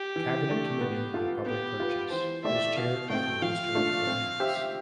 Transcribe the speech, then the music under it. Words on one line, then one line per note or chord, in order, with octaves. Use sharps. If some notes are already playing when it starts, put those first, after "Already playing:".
Cabinet Committee on Public Purchase is chaired by the Minister of Finance.
Already playing: G4
E3
A3 D4
B3
F4 A4
B3 G4
F4 B4
E3 C5
A3 E4 G4 D5 E5
B2 F5
A3 C4 G5
F3 F5
A3 D4 F4
C4
G4 C5 E5